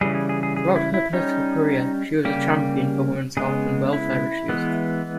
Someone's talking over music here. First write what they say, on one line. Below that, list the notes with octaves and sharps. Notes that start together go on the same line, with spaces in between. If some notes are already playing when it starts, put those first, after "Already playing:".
Throughout her political career, she was a champion for women's health and welfare issues.
C#3 E3 G3 G#4
G#4
G#4
G#4
G#4
E4
E4
G3 C#4 D#4
C#3 G3 A#3 G4
C#3 G#3 B3 G#4
E4
E3 G#3 B3